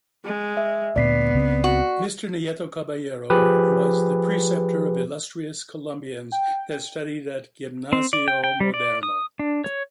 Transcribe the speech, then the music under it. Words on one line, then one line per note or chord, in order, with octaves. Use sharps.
Mr. Nieto Caballero was the preceptor of illustrious Colombians that studied at Gimnasio Moderno.
G#3
E5
D2 A#2 B3 D5 B6 C7
C#2 C#3 C4
F#4
F3 G4 G#4 B4
G5
C4
D5
G5
G5
G3
D5
D#6
D4
C#5